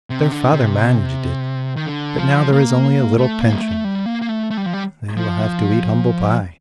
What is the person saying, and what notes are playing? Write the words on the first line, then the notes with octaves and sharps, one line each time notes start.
Their father managed it, but now there is only a little pension. They will have to eat humble pie.
C3
D3
C3
D#3
D3
F3
A#3
A3
A#3
G3
A3
G3
A#3
A#3
A3
A3
G3
F3
G3
F3